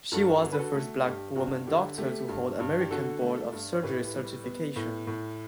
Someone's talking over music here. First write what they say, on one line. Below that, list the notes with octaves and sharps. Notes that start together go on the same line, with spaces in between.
She was the first Black woman doctor to hold American Board of Surgery certification.
G2 F#4 A4
D3
B4
F#4 A4
A3
G2 G4
G2 F#4
D3 G4
A3 G4
G2
G2
G4
D3 F#4 A4
A3
G2
C#5
A2 G4 B4
G3
B3
A2
A2